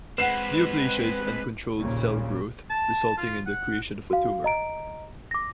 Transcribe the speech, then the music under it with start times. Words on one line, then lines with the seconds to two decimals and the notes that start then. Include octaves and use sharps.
Neoplasia is uncontrolled cell growth, resulting in the creation of a tumour.
0.18 G#3 C4 B4 F#5 C7 E7
1.78 A#1 D#2 A#2 C#3
2.70 A5
3.18 F4
3.46 F#5
4.10 F#4 F5
4.44 D#5 A#5 D7
5.31 D6 A#6